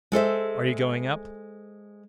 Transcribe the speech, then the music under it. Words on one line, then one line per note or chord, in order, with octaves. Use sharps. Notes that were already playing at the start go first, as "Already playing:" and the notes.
"Are you going up?"
G#3 A4 C5 E5